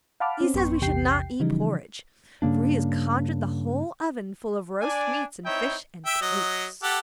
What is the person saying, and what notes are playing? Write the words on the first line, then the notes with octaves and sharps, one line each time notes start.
'He says we should not eat porridge, for he has conjured the whole oven full of roast meats and fish and cakes.'
F5 F#5 A5 B5 D6 F6
C4 C#4
A1 F#2 B3 G5 C6 C#6
A#1 E2 C3 G4 G5 C7
C#3 E3 F3 G3 D#4
G2 C#3 A#3 D4
D4 D5 G#5
C4 D#4 E4 C#5 E5 G5
E5 G5
F#3 D#5
G4 A4 F#5